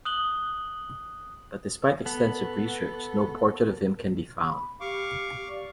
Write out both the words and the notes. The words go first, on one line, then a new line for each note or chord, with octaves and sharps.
But despite extensive research no portrait of him can be found.
D#6 F#6 F#7 G7
B3 A4
B5
G4 F5 C#6 D6
D5